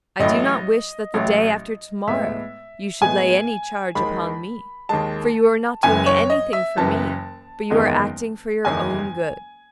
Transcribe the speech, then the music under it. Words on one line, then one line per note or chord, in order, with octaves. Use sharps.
I do not wish that the day after to-morrow you should lay any charge upon me; for you are not doing anything for me, but you are acting for your own good.
A1 A2 F#3 D#5
A1 A2 F#3
A2 G#3 B3 E5
A2 G#3 B3 G#5
D#2 D#3 G#3 B5
D#2 D#3 G#3 A5
F#1 F#2 E3 G#5
C#5
D#5
E5
F#1 F#2 E3 A5
F#1 E2 D#3 G#3 B3
F#1 E2 D#3 G#3 B3 G#5